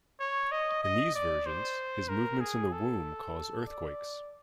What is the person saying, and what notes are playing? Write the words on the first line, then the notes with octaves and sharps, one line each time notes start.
In these versions, his movements in the womb cause earthquakes.
C#5
D#5
D#5
D5
C5
A#4
G#4
A4
D5